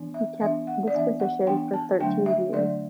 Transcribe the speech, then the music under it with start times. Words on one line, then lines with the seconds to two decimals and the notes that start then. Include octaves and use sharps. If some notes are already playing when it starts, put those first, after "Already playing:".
He kept this position for thirteen years.
Already playing: E3 B3 D4
0.14 E5
0.40 E3 B3 D4 E5
0.67 F#5
0.88 D5
0.93 E3 B3 D4 E5
1.20 F#5
1.47 E3 B3 D4 G5
1.74 A5
2.00 D3 F#3 A3 D4 G5
2.26 E5
2.53 D3 F#3 A3 D4 D5